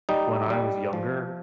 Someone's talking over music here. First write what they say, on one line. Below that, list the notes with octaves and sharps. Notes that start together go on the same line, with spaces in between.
when I was younger,
G3 D#4
G3
F3